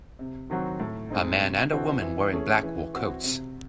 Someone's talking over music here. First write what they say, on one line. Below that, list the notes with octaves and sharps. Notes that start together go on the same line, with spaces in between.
A man and a woman wearing black wool coats.
C3
D#3 F#3 C4 F#4
A2
G#3 C4 D#4
C3
E3 C4 F#4 A4
E3
A3 C#4 G#4
E3
C4 F#4
C3